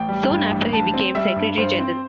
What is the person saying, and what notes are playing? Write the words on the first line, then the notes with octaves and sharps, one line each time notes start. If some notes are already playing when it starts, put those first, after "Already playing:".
Soon after, he became Secretary General.
Already playing: A1 G5
G3
G2
A1
G2 A5
C4
G3 E5
G2
G2 C5
C4